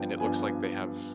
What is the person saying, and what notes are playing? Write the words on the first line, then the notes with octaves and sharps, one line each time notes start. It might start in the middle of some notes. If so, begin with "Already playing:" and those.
and it looks like they have
Already playing: G2 F3 B3 G5
G2 F3 B3 G#5